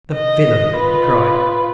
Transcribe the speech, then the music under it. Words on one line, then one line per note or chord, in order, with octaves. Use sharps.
"The villain!" he cried.
D#5
F4 B4